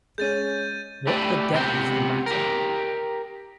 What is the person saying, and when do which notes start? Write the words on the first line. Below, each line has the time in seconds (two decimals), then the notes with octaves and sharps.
What the devil's the matter?
0.18 G#3 C#4 G6 A6 D#7
1.07 A3 G4 B4 D5
1.53 C#2 C3 B3 C4 G5
2.26 G4 A#4